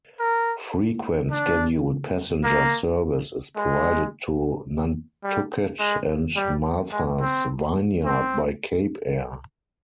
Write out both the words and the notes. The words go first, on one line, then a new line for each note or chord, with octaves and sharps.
Frequent scheduled passenger service is provided to Nantucket and Martha's Vineyard by Cape Air.
A#4
D4
A#3
G#3
G3
G#3
G3
G#3
C4
C4